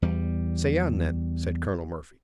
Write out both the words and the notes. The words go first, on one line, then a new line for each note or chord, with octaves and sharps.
"Say on, then," said Colonel Murphy.
E2 G3